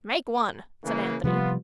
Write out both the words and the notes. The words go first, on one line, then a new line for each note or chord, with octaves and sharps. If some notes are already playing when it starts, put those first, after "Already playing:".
"Make one," said Anthony.
C#3 E3 A#3
C3 F3 G3 B3 F4